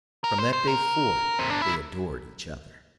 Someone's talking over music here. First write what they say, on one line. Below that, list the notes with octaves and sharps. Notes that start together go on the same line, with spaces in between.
From that day forth, they adored each other.
A#4
C5
C5
A#4
C4
D4
E4